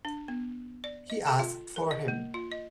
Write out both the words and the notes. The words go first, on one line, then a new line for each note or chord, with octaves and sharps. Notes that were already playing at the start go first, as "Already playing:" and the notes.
He asked for him.
D4
B3
D5
D#5
A4
F4
A#4
D#5
A#3
F4
D#5